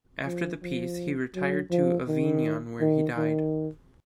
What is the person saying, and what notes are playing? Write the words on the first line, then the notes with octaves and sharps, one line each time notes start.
After the peace, he retired to Avignon, where he died.
F3
F3
F#3
F3
D#3
D#3
D#3